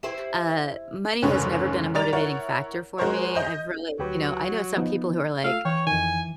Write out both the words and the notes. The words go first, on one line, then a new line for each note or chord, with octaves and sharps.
uh, money has never been a motivating factor for me, I've really you know, I know some people who are like,
E4 G4 C5
F1 D#2 G#2 C#3 B4 C#5
G3 A#4 D5 A6 F7
E4 A#4 C#5 F#5
G#3 F#4 A#4 C5 C#5
D#5 G6
D2 F#3 G4 B4
F3 B3 D#4
A3 F4 F5 E6
E3 C#5 G5 C#6
F2 D#3 G#5